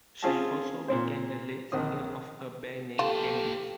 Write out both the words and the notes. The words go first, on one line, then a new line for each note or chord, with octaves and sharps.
She also became the lead singer of a band named Kendix.
C4 C#4 F4 G#4 C#5 A5
A#2 C4 C5
A#1 D#3 C4 D#6
A#3 F4 G4 A4 A5